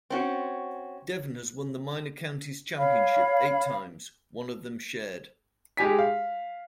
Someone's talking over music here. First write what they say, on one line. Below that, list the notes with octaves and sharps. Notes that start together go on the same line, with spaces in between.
Devon has won the Minor Counties Championship eight times, one of them shared.
C4 C#4 F#4
C#5 F5 B5
G#3 G4 G#5 B6
F5